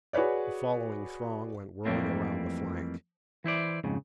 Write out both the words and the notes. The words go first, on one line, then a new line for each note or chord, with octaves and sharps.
The following throng went whirling around the flank.
F#4 G#4 B4 C#5 D5
F2 E3 G3 A3 A#3 C4
E3 E4 C5 D5
F2 G#2 C#3